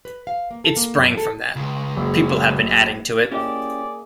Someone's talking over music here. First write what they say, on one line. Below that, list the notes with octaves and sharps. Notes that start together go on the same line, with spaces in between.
It sprang from that, people have been adding to it.
B4
F5
A#3
A4
A#3
F#2
A4
C#2
F#1
A#3 C#4 E4 G4 G#4 D5 D#5